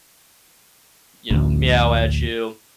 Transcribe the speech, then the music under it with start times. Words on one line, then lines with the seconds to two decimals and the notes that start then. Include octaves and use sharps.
you know, meow at you.
1.31 A1 D2